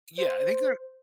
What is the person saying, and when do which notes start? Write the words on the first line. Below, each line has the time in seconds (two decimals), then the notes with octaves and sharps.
Yeah, I think they're
0.18 C5